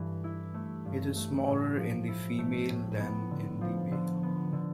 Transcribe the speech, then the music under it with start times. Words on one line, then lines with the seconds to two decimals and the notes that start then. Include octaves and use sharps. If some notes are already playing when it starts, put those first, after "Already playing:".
It is smaller in the female than in the male.
Already playing: G2 E3 A3
0.24 E4
0.54 A3
0.85 G2
1.16 A3
1.46 A2
1.77 F3
2.08 E4
2.38 A3
2.69 A2
3.00 B3
3.31 D3
3.61 F3
3.91 D3
4.23 B3
4.53 D3